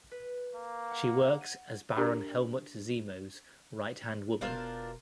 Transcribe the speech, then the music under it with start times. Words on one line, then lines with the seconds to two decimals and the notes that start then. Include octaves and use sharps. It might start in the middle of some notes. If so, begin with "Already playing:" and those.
She works as Baron Helmut Zemo's right-hand woman.
0.11 B4
0.55 A#3
0.91 F#5
1.41 D#7
1.97 D4 G4 A#4
4.41 E1 B2 D4 F4 A#4 C5